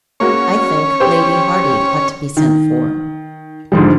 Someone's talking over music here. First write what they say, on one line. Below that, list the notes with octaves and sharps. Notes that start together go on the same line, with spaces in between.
"I think Lady Hardy ought to be sent for."
G#3 A#3 C#4 F#4 C#5
G4 C5
D#3
G#2 D3 F3 G3